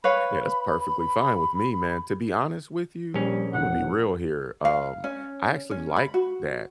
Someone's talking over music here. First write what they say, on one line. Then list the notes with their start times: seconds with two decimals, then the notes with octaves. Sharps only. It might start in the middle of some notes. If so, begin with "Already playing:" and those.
Yeah. That's perfectly fine with me, man. To be honest with you, Imma be real here, um, I actually like that.
0.04 B4 C#5 F5 B5
3.14 A#1 G3 C#4
3.54 E1 F#5
4.65 F5
5.04 C#4
5.71 C#4
5.96 B5
6.14 F#4